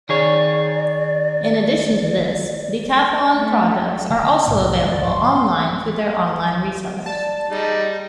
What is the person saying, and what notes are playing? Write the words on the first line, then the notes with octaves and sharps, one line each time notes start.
In addition to this, Decathlon products are also available online through their online resellers.
D#3 G#4 C#5 D5
A3
D3
C2 F#2 A2
C#2 D3 G3 D5
G#2 C6 C#6
D5 A5
G3 D#4 G#4